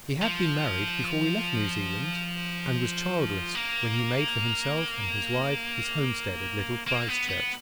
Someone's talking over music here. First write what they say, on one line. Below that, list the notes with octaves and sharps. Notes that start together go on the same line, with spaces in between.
He had been married before we left New Zealand, and was childless when he made for himself and his wife his homestead at Little Christchurch.
F3
A#3
A#3
B3
B3